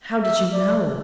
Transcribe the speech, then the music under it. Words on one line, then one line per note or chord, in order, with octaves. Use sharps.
"How did you know?"
E5
D5